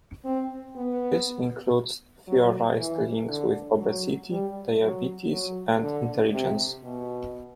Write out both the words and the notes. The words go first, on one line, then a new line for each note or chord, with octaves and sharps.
This includes theorised links with obesity, diabetes and intelligence.
C4
B3
F#3
E3
D3
F#3
G3
F#3
F#3
D3
C3
B2